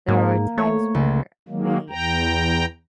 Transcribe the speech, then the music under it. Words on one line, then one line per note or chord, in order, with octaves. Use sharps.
there are times where we
G#2 A#3
A3 C#5
C#2
D#3 F#3 G#3 A#3
E2 G5 A#5